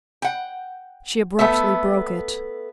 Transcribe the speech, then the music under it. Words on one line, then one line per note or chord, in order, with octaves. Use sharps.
She abruptly broke it.
F#5 G5
A3 B3 A4 E5